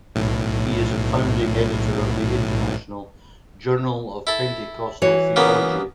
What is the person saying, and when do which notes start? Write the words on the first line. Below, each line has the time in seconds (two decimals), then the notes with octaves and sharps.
He is a founding editor of the international "Journal of Pentecostal Theology".
0.15 B1 A2
4.27 E4 A4
5.02 E3 F#4 C#5
5.36 C#3 A#3 B3